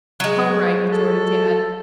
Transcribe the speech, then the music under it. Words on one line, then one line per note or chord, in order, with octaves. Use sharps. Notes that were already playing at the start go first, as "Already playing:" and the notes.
"All right," retorted Tad.
F#3 G#3
A4